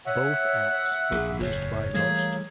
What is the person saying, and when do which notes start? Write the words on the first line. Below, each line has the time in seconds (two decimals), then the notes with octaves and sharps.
Both acts were produced by Most.
0.06 C#5 E5 F#5
1.12 A#1 G#4
1.40 F#1 E2 A2 C#5
1.94 E3 G3 A3 A#3 G#4